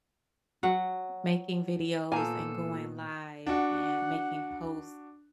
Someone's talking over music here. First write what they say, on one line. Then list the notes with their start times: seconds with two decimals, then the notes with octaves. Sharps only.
making videos and going live and making posts
0.63 F#3 F#5
2.12 A#2 A#3 B3 F4 A4 C5 G#5 A#5
3.47 D4 F#4 F#5